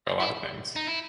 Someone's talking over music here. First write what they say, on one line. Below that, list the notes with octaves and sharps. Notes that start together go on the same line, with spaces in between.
A lotta things.
E4
D#4
E4